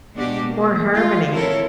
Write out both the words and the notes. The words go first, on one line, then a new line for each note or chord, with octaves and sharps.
more harmony.
B2 G#3 D4 F#4 G4
A#3
F4
C4 E4 A4 A#4 C#5